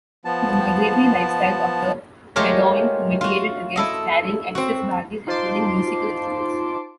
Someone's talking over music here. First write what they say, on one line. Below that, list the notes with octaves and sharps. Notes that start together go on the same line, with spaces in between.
The migratory lifestyle of the bedouin mitigated against carrying excess baggage, including musical instruments.
F3 B3 A5
G#3 A3 F4 G4 A#4 C#5
F4 F#4
E4 A4 D#5
C4 F#4
D#4 F4 C5 A5 C6 D6